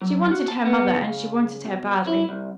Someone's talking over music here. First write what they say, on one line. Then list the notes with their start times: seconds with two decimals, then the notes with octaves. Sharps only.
She wanted her mother and she wanted her badly.
0.01 F#3
0.31 F#4
0.48 A5
0.65 B3
0.96 C#3
1.65 B2
2.07 E4
2.29 C2